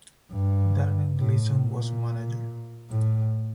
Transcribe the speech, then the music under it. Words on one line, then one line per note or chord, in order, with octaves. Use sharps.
Darren Gleeson was manager.
G2
A2
A#2
A2